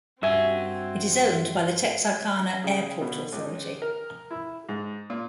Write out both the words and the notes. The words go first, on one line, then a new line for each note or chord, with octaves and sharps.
It is owned by the Texarkana Airport Authority.
G2 C4 F#4 E5 G#5
C#3
B2
C#2
A#4
E4
G#2
A#2